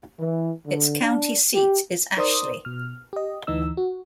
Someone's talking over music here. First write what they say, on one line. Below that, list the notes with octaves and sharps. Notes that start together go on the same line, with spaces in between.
Its county seat is Ashley.
E3
D3
D4
G4
D#4 A#4 C5 D5 C6 D#6
B2 F6
G4 D#5
D2 E3 D#4 E6
F#4